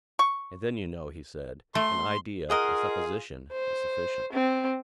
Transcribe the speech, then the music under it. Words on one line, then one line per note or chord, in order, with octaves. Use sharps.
"And then, you know," he said, "an idea, a supposition, is sufficient."
C#6
A3 C6
F4 G#4 A#4 D#5 F#5
C5
C4